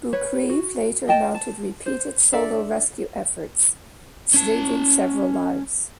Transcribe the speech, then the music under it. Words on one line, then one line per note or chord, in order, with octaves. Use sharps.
Boukreev later mounted repeated solo rescue efforts, saving several lives.
B4 C#5
F#4
D#5 G5 A5
A5
C5
D4 A4 D5 E5
C#4 A5